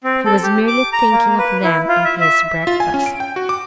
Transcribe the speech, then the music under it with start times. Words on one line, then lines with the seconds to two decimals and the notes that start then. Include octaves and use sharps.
He was merely thinking of them and his breakfast.
0.04 C4
0.25 A4
0.43 G4
0.68 D6
0.93 A#5
1.12 A#3
1.39 B4
1.64 E4
1.88 F4
2.05 E5
2.20 E5
2.67 F4
2.80 G#5
2.94 C#4
3.06 D7
3.20 G5
3.36 F#4
3.49 D6